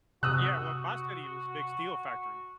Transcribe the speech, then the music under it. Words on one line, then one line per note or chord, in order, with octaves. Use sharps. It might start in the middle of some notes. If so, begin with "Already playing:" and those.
Yeah, well, my city is a big steel factory.
C3 F#4 D#6 E6 F#6